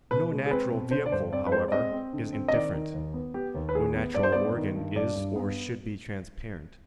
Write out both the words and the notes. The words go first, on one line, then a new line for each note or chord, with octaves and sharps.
No natural vehicle, however, is indifferent; no natural organ is or should be transparent.
B2 B4
G#3
G#4
C4 B4
B2
D3 C5
D5
G2 C5
C4 D5
B4
G#3 C5
D5
C4 D#5
C4
D3
C4
D#5
D#3 D5
D#3
D#2
B3
B3 G4
D#2
B4
D#2 G#4
B3
G2 D5
C5
B3 D5
D#3
G2
G2 D5
G2
B3